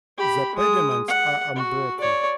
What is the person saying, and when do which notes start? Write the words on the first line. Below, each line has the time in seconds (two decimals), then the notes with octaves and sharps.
The pediments are unbroken.
0.18 G4 B5
0.55 G#3 D#6
1.08 F#5
1.56 F#4
2.00 C#5 D5